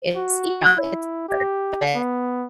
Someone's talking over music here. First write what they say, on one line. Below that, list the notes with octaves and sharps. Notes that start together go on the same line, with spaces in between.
it's you know, it's hard, but I
F#4
E4
G4
B3